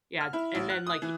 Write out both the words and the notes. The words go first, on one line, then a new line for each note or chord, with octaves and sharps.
Yeah d and then, like
F6
E4
A1
F#6
D#6
E3